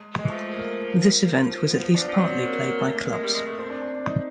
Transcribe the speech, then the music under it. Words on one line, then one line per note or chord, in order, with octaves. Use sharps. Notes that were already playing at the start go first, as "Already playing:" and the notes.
This event was at least partly played by clubs.
Already playing: G#3
E3 G#3
F3 A3
A#3
F3
B3
D4
F3
F#3 C4
A#3
A#3
A3
A#3
G#3
G3
G#3
A3
C4
D4
D4
D4
D#4